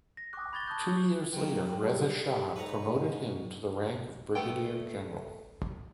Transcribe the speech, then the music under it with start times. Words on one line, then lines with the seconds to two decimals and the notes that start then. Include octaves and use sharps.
Two years later Reza Shah promoted him to the rank of brigadier general.
0.17 A#6
0.33 C#6 D6 F#6
0.53 B5 G#6 A6 G7
0.68 A5 C#6 D#6 F#6 G6
0.81 D#6
1.33 F#3 A#3 G5
1.81 G3 G#4
2.23 G3 G4 A4
2.56 G#2 B4 C#5 A#5
3.14 F#4
4.35 A3 B3 G5